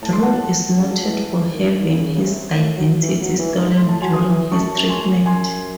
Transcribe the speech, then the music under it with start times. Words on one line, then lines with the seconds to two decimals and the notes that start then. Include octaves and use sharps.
Drew is noted for having his identity stolen during his treatment.
0.02 A2 A5
0.13 C6
0.23 A2 F#5 A5
0.78 C#3
0.90 F#3
1.03 E3
1.26 E3
1.52 D#3
1.77 D#3
1.89 C#3
2.15 C#3
2.27 C3
2.51 A2
2.77 F#3
3.02 E3
3.15 E3
3.21 F#3
3.39 E3
3.57 G#2
3.77 A2 C6
3.89 A5
4.01 F#3 G#5 C6
4.13 C6 D#6
4.27 E3
4.51 F#2 A5 C#6
4.76 F#2
4.89 G#5 C6
5.02 F#2
5.26 G#5 C6